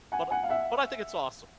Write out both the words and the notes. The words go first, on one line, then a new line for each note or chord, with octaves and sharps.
But but I think it's awesome.
F#5 G#5
F#5 G#5
F5
E5 F#5